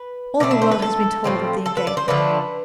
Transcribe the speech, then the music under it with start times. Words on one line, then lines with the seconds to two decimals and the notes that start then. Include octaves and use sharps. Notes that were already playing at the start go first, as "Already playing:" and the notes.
All the world has been told of the engagement.
Already playing: B4
0.40 B2 A3 D4 D5
0.51 E5
0.62 C5
0.71 B4
0.82 A4
1.24 A2 F3 C4
1.66 A4
1.77 B4
1.87 D5
1.97 C5
2.08 D3 F3 A3 D4 B4